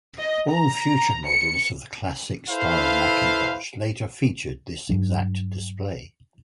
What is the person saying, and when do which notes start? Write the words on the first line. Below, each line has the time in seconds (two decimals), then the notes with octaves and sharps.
All future models of the Classic style Macintosh later featured this exact display.
0.19 D#5
0.50 A#5
1.26 C#7
2.49 E4 A4 B4 C5 F5
4.89 G2 F#3 D4